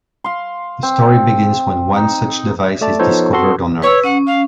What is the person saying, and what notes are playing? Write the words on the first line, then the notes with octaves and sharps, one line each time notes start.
The story begins when one such device is discovered on Earth.
F5 C6
C4
D#4
A3 D5 A5
F3 B3 D#4 A4 C5 C#5
C4 F#4 A4 C6
B4 C#5 E6
C#4 F#5
F5